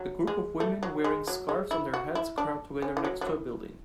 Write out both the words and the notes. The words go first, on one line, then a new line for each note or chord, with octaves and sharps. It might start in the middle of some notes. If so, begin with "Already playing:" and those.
A group of woman wearing scarves on their heads crowd together next to a building.
Already playing: F#3
G#3
A3
F#3
G#3
F#3
G#3
E4
F#4
E4
D4
C#4
E3
F#3
F#3
E3